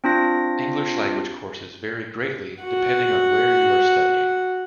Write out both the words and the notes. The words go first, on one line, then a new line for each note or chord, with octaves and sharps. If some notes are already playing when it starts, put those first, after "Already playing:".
English language courses vary greatly, depending on where you are studying.
C4 D4 F4 A#6
F#4 F#5